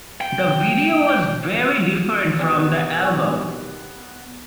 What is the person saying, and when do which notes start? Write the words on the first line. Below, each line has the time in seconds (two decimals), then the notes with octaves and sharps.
The video was very different from the album.
0.21 G5
2.39 B2 D#3 B3 D4 F#4 G4 D5
3.03 D5 G#5 C#6